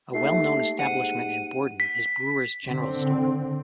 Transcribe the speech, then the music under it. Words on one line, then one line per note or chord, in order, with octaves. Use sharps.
A well known establishment in Borden is Brewer's General Store.
A3 A#3 D#4 G4 C7
G#2 F#5 D#7
B6
D3 C4